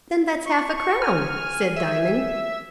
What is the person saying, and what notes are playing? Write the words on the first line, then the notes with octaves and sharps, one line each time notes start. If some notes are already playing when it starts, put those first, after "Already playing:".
"Then that's half-a-crown," said Diamond.
C#6
C#6
G#5 F6
E5